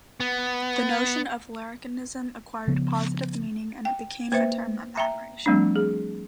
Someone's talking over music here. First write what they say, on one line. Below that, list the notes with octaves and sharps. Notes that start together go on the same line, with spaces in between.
The notion of larrikinism acquired positive meaning and it became a term of admiration.
B3
C#3 F3 B3
G5
A#3 B4 C5 E5
E5 G5 A#5
F3 G3 A3 C4 D4
G#4